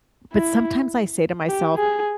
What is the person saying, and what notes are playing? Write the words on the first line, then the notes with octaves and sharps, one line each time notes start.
but sometimes I say to myself,
E4
G4
G#4